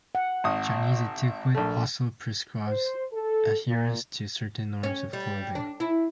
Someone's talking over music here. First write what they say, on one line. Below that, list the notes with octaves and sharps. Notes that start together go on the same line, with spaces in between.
Chinese etiquette also prescribes adherence to certain norms of clothing.
F#5
G#1 D#6
A#1 A3
C5
A4
A#2
C#4
G3
D4
E4